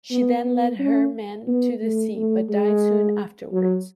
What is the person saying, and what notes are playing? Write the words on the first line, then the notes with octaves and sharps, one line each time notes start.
She then led her men to the sea, but died soon afterwards.
B3
B3
C#4
B3
A3
A3
G#3
F#3